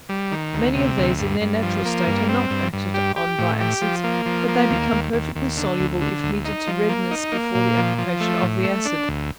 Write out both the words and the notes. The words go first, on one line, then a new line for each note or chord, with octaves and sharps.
Many of these, in their natural state, are not acted on by acids, but they become perfectly soluble if heated to redness before the application of the acid.
G3
D#3
D2
C3
D2
G2
G2
F3
A#3
G2
C4
G2
G2
G4
G4
A2
G4
F3
A#3
F3
A#3
D#2
D#2
D#2
D#2
D3
D2
D3
D2
D#4
F3
A#3
D#4
A#3
A#2
F3
F3
A3
A2
A3
D4
D2